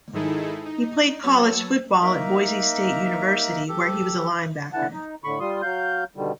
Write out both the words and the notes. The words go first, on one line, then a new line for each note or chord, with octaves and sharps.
He played college football at Boise State University, where he was a linebacker.
G#2 D#3 D#4 E4 G#4 A4
D#4
F#3 B3 C#5 A5 E6
A#3 D#4 A#4 E5
G4 A4
D3 E3 F#5 A5
D#4
A2 D3 B5 C#6
G3 F4 C6 D#6
F#3 F5 G6
B2 D3 D#3 G3